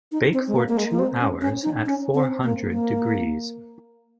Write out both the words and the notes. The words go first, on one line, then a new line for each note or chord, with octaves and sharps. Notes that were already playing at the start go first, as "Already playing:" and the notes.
Bake for two hours at four hundred degrees.
D#4
C4
G#3
A#3
A#3
G#3
A#3
C4
C#4
C#4
D#4
C#4
C4
A#3
A#3